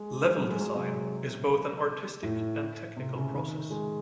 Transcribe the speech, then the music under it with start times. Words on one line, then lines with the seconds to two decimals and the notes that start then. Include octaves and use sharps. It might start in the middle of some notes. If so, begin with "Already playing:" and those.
Level design is both an artistic and technical process.
Already playing: G#3
0.38 F#3
0.49 G#3
0.61 F#3
0.75 C3
2.23 A2
2.97 C3
3.15 C#3
3.34 D#3
3.70 G#3